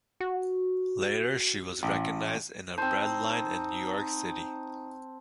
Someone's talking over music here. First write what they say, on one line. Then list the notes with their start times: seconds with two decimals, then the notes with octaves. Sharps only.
Later she was recognized in a bread line in New York City.
0.20 F#4
1.83 A1
2.78 C4 D#4 C5 A5